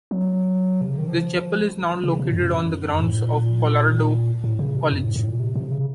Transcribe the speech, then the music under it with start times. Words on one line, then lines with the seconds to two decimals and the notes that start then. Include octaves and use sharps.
The chapel is now located on the grounds of Colorado College.
0.11 F#3
0.81 C3
0.90 C#3
0.98 D#3
1.08 F3
2.04 C#3
2.19 C3
2.30 A2
2.35 F#2
3.00 A2
3.23 A#2
4.44 A2
4.59 C#3
4.75 C3
4.92 F#2
5.03 A2
5.16 A2
5.28 A#2
5.40 C3
5.55 C3
5.71 C#3